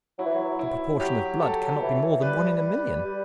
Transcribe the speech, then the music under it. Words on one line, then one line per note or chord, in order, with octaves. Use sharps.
The proportion of blood cannot be more than one in a million.
F#3 E4
E3
F#3
E4
F#3 G4
A4
E3
G3 B4
G3